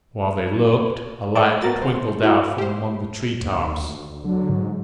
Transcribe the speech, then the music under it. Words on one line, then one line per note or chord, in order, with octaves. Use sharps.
While they looked, a light twinkled out from among the tree-tops.
A4 C5 D5 E5 A5
B3 F#4 A#4 A6
C5
A3 E4 F#4
G4 C5
D#2
D2
D3 F#3
G#2